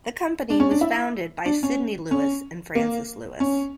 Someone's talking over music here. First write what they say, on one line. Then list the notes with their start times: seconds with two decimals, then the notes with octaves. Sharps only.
The company was founded by Sydney Lewis and Frances Lewis.
0.50 D4
0.60 C#4
0.71 D4
0.81 E4
1.46 D4
1.63 C#4
2.11 C#4
2.75 A#3
3.40 C#4